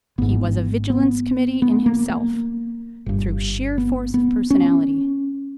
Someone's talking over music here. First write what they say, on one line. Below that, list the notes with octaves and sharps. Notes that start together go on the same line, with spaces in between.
He was a vigilance committee in himself through sheer force of personality.
G#1 G#2 B3
B3
B3
A#3
A#3
G1 G2
B3
B3
C#4